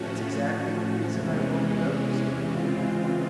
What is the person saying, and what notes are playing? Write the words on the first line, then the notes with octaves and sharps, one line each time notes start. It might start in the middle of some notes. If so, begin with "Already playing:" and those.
"That's exactly the reason I won't go," said d'Artagnan.
Already playing: A2 F3 A3 C#4 F#4
E2 C3 E3 G#3 C#4
C#3 E3 G#3 C4 F4